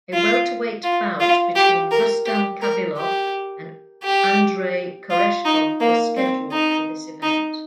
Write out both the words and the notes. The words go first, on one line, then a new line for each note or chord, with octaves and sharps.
A welterweight bout between Rustam Khabilov and Andrey Koreshkov was scheduled for this event.
F4
F4
F4
G4
A#4
G4
A#4
G4
G4
F4
D#4
A#3
C4
D#4
D#4